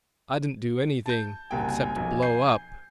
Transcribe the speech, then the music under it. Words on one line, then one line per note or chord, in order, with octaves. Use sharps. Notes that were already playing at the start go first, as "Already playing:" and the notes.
"I didn't do anything--except blow up."
A5 G6
F#1 C2 G5 G#5
B1 F2
G6 C7